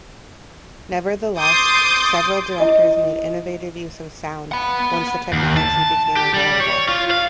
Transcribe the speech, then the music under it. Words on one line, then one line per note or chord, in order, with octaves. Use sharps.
Nevertheless, several directors made innovative use of sound once the technology became available.
C6 D6 D#6 G6 A6
E4 D#5 D#6
F#5 B5
D#2
A5
G4
G3
C#5
F4
F5